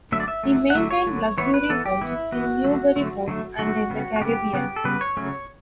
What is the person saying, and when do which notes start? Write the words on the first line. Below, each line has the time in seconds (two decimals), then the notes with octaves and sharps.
He maintained luxury homes in Newburyport and in the Caribbean.
0.12 D3 F#3 A3 E5
0.20 D5
0.28 E5
0.43 D3 F#3 A3
0.70 F#5
0.75 D3 F#3 A3 E5
0.91 C#5
1.07 D3 F#3 A3
1.38 E3 B3 C#5
1.54 B4
1.70 E3 B3 A4
1.86 G4
2.01 E3 B3 E4
2.32 E3 B3 F#4
2.64 D3 F#3 A3
2.96 D3 F#3 A3
3.28 D3 F#3 A3
3.59 D3 F#3 A3 F#4
3.90 C#3 G3 B3
4.16 F#4
4.22 C#3 G3 B3 G4
4.53 C#3 G3 B3
4.76 A4
4.84 C#3 G3 B3 B4
5.01 C#5
5.17 C#3 F#3 A3 C#4